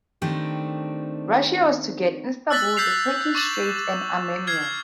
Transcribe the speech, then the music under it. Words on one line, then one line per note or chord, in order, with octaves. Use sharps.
Russia was to get Istanbul, the Turkish Straits and Armenia.
D#3 A3 C4 D4 G4
E6 F#6 A6 B6 F#7 G7
E6 G6 B6 C7 F7
C#6 D6 A6 E7 F#7
F6 G#6 C7